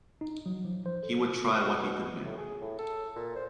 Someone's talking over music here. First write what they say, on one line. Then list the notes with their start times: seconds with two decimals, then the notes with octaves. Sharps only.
He would try what he could do.
0.21 D#4
0.46 F#3
0.65 F3
0.86 C5
1.03 A4
1.55 B2
2.24 A2
2.37 G#4
2.61 A2
2.78 A4
3.16 A#2
3.36 C5